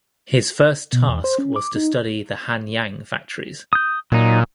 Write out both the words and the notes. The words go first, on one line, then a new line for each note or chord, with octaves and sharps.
His first task was to study the Hanyang factories.
B2
E2
C5
C#4
D6
D#4
D#6 G6
A#2 F#3 D#4